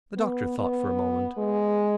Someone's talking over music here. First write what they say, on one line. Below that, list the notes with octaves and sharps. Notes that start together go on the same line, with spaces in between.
The doctor thought for a moment.
B3
B3
G#3